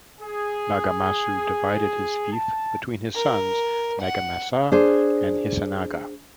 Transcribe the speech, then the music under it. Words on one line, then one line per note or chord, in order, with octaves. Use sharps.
Nagamasu divided his fief between his sons Nagamasa and Hisanaga.
G#4
A5
A#4
F#5
D4 G#4 C5